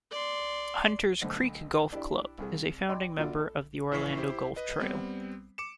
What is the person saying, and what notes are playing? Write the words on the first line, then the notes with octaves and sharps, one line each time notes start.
Hunter's Creek Golf Club is a founding member of the Orlando Golf Trail.
D5 C6
B1 D3 A3 C5
D4 E4 G4 D5
C2 C3 G#4
D5 D#5 G5 B5 C6 D6
A#1 D4 F4 F#4 A4 D5
A4
A#1 E3 E4 C#6 B6 C7
E4 G4 C5
B4 D#5
G3 B3 C4
D6 C#7 E7